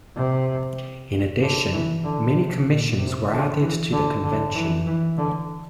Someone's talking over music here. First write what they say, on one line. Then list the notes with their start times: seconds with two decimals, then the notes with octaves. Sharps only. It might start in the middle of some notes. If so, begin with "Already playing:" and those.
In addition, many commissions were added to the convention.
0.16 C3
1.41 D3
1.72 E3
2.04 D3
2.35 C3
2.67 A#2
2.98 C3
3.30 D3
3.61 E3
3.92 D3
4.23 D3
4.55 E3
4.86 E3
5.17 D3